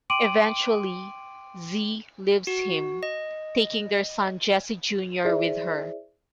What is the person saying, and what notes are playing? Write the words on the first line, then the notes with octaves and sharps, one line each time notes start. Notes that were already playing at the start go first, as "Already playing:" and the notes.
Eventually Zee leaves him, taking their son Jesse Junior with her.
G5 C6 D6 D7 D#7 F#7
F#4
D#5
E4 G#4 C5 D5 E5